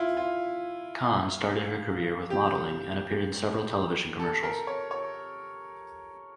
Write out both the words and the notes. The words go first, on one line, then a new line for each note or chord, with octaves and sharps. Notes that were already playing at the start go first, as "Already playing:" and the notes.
Khan started her career with modeling and appeared in several television commercials.
Already playing: E4 F4
F4
G4
A4
A#4
C#5
C#5